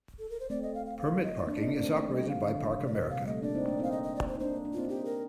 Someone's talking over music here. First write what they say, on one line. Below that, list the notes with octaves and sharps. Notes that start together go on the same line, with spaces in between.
Permit parking is operated by ParkAmerica.
A4
A#4
C5
A3 C4 D5
D#5
F5
F5
F5
D#5
A#3 D4 D5
A#3 D4 D#5
D4 D5
A3 C4
A3 D5
G3
D#5
F3
D#3 F5
D3
C3
D5
A#2 D#5
C3 F5
G3
A3 D#5
A#3 D4 D5
C4 D#4
A#3 D4
C4 D#4 F5
D#5
D#5
D5
C5
D#4
A#3 D4 C5
A#3 D4
C4 D#4 F4
C4 D#4 G4
A#4